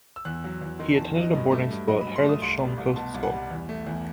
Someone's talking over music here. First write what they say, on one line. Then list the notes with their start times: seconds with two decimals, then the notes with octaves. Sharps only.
He attended boarding school at Herlufsholm kostskole.
0.16 E6
0.25 E2 F#6
0.44 F#3
0.61 E2
0.79 D#3 C6
0.94 A5
0.98 E2
1.16 F#3 D#5
1.34 G2 D#5
1.51 A3
1.71 G2
1.88 F#3 D#5
2.01 B5
2.07 G2
2.16 C6
2.24 A3
2.29 D#6
2.42 C2 C6
2.60 G3
2.78 C2
2.96 B2 A5
3.14 C2
3.23 F#5
3.32 G3
3.51 E2
3.69 A3
3.87 E2